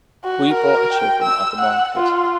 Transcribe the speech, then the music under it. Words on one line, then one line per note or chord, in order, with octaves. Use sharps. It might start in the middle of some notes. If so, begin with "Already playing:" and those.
We bought a chicken at the market.
F#4
A#4
G5
E6
F#5
F4